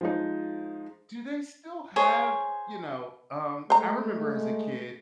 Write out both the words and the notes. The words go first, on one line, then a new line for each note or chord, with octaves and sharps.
Do they still have, you know, um I remember as a kid,
F3 G#3 D#4
G#4 C5 C#5
G#3 A3 C5 A#5